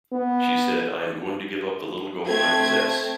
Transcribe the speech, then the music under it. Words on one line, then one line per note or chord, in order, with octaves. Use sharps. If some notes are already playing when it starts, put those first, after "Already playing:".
She said, ''I am going to give up the little gold I possess.
B3
A3 C4 G#6